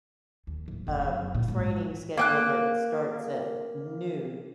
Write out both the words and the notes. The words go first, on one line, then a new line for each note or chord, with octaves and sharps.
a training schedule that starts at noon
D#2
D1
F1 B3
F#2
A#2
G#2
A#3 G5 F#6